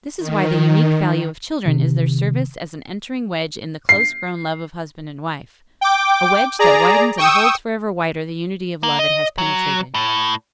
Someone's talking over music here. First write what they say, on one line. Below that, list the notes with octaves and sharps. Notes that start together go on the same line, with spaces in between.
This is why the unique value of children is their service as an entering wedge in the close-grown love of husband and wife, a wedge that widens and holds forever wider the unity of love it has penetrated.
D#3
C3 D#3
C7
G5 D6
G#4 D5 A#5
G5 C#6 D#6 E6
A#3
D#5
F#3
A2